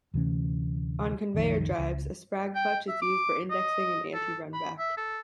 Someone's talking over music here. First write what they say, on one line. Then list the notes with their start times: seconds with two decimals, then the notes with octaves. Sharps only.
On conveyor drives, a sprag clutch is used for indexing and anti-runback.
0.14 D2 C3 E3 C#4
1.34 F#1 C2 D#3 F3
1.78 C#2
2.55 G5
2.88 E5
3.02 D6
3.51 D#5
4.14 A4
4.53 B5
4.79 E5
4.97 A4